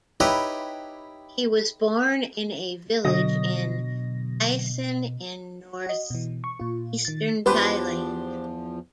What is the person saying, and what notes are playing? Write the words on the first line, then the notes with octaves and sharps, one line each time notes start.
He was born in a village in Isan in northeastern Thailand.
D#4 E4 G4 B4 C#5
B2 D3 F#3 D#5 A#6
F#4 D#5
B2 E3
C#6
A#2 F4
D#3 A6
E2 F3 D4 G4 B4 C5